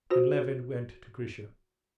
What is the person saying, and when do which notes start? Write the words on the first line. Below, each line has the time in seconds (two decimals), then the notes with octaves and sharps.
And Levin went to Grisha.
0.10 F4 F#4 C5